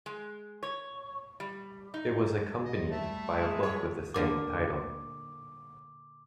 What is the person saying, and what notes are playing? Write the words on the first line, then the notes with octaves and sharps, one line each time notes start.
It was accompanied by a book with the same title.
G#3
C#5
G3
D#4
D#5
G3 A3 E5 A5
G#3
C#5
A#2 D3 A#3 D6